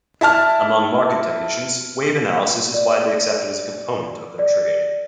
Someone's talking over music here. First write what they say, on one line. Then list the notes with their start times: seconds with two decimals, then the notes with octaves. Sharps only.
Among market technicians, wave analysis is widely accepted as a component of their trade.
0.21 E4 E5 A5 F6
2.74 D5
4.39 D5